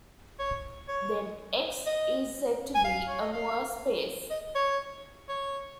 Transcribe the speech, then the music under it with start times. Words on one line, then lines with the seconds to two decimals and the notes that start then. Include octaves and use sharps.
Then "X" is said to be a Moore space.
0.39 C#5
0.88 C#5
1.86 D#5
2.75 G#5
2.84 F5
3.08 C#5
3.20 D#5
3.33 F5
4.30 D#5
4.55 C#5
5.29 C#5